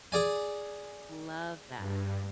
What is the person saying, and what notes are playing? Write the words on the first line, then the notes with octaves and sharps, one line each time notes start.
Love that.
G#4 D5 G#5
G2